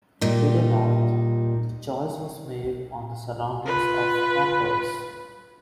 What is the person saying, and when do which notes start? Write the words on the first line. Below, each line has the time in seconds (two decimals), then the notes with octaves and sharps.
To the north, the choice was made on the surroundings of Pontoise.
0.21 A#2 G3 D#4
3.64 F4 B4